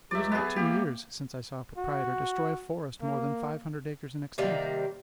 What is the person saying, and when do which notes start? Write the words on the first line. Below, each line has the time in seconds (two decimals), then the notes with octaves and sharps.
It is not two years since I saw a proprietor destroy a forest more than five hundred acres in extent.
0.11 C#2 F#3 G4 D5 E5
0.32 B3 G#4
0.56 A#3 G4
1.77 F#4
3.02 A#3
4.38 C3 D#3 G3 A#3